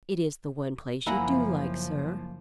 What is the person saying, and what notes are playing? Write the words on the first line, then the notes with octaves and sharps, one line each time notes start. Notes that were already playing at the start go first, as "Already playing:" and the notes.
"It is the one place you do like, sir."
F#1 F3 A#3 E4 E5 F#5 G#5 A#5